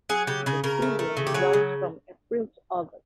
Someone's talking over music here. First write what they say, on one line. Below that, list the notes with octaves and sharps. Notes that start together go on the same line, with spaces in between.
The season runs from April to August.
F#3 G#4
C#3 G4
C#3 G#4
C#3 A#4
A3
A3
C#3
G4
F#3 G#4
C#3